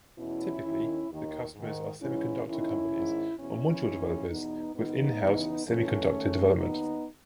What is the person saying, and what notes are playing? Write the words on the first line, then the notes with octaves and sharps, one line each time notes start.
Typically, the customers are semiconductor companies or module developers with in-house semiconductor development.
E2 B2 C#4 E4
D#2 D#3
D#2 D#3
G#2 D#3
G#2 E3 C#4 E4
D#2 D#3 C#4 E4
G#2 D#3
E2 B2 C#4 E4
D#2 D#3
E2 B2 B3 D#4
G#2 D#3 B3 D#4
E2 C#3 E3
F#2 C#3 E3 A3 C#4
G#2 D#3
D#2 D#3 B3 D#4